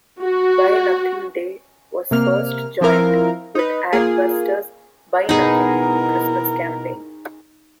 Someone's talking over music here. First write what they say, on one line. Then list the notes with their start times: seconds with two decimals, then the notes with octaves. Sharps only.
Buy Nothing Day was first joined with Adbuster's Buy Nothing Christmas campaign.
0.22 F#4
2.11 C3 A#3 F6
2.81 F3 C4 E4 A#4 F5
3.55 D#4 B4
3.93 A#3 F4 G#4
5.29 B2 A#3 D#4 E4 G#4 A#4 B4